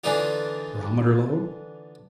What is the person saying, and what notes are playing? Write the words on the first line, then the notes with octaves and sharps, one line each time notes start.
Barometer low?
D3 E3 A3 D4 D#4 F4